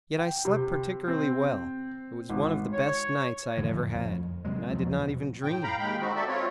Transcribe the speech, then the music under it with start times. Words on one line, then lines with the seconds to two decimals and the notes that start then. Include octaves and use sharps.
Yet I slept particularly well; it was one of the best nights I had ever had, and I did not even dream.
0.19 G5
0.45 C3
1.08 C4
2.30 G#1
2.73 C#5
3.57 F2 A2 D3 D#3
3.95 F2
4.45 C3 F#3 G#3
4.70 E2 F3 F#3 C4
4.99 B2
5.43 A2 G5
5.63 F5 G5 A#5 B5
5.79 D#2 G#3 G5 B5
6.01 C4 D#4 F#4
6.16 A4 D5 E5
6.28 C4 F4 C#5